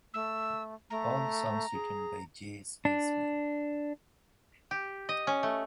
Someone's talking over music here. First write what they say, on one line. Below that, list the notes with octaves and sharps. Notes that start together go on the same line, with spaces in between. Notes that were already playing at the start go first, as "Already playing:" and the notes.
All songs written by J Spaceman.
A3 E6
A3 A#5
G#4
D4
G4
D#5
C#4
A3